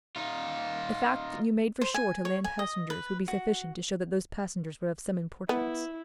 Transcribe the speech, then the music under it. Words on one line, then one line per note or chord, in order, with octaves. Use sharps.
The fact that you made for shore, to land passengers, would be sufficient to show that those passengers were of some importance.
D#4 F4
C5
G#5
C#5
G#5
D#5
B4
F#4
B3 E4